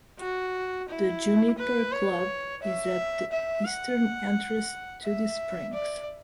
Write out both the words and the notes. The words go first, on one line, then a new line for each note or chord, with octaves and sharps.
The Juniper Club is at the eastern entrance to the springs.
F#4
E4
B4
C#5
E5
E5
F#5
E5
D5